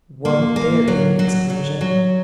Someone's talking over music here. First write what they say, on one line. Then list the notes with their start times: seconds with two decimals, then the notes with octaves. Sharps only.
Won't there be an explosion!
0.25 A#3
0.56 A#3
0.88 F#3
1.19 F#3
1.50 F#3
1.81 F#3